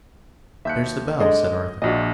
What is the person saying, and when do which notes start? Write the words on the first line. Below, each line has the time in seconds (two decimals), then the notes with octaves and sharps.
'There's the bell,' said Arthur.
0.65 D#2 E5 F#6 G6 C#7
1.20 D3 G#3 D5 D#5
1.82 A#1 A#2 D4 F#4 D#5